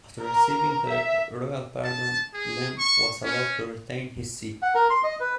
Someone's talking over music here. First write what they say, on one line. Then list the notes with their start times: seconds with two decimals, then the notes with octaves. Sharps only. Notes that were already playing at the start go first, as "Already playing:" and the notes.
After receiving the royal pardon, Lim was allowed to retain his seat.
0.22 A#4
0.87 E5
1.84 A5
2.34 G#4
2.79 C#6
3.24 C#4
4.62 F#5
4.75 A#4
4.90 C6
5.04 D#5
5.20 B4